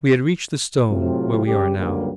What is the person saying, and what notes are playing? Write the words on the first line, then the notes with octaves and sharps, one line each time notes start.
We had reached the stone where we are now.
A2 C3 F#3 C4 F4
C#3 G3 G4
C#2 G2 D3 F#3 G3 A#3